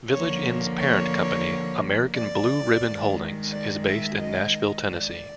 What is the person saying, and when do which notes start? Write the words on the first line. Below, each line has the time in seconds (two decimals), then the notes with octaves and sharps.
Village Inn's parent company, American Blue Ribbon Holdings, is based in Nashville, Tennessee.
0.11 D3 F3 A#3 C#5
0.80 C#5
2.15 D5
2.84 D#3 G#3
3.52 D5
3.86 E5
4.20 D#5
4.87 D5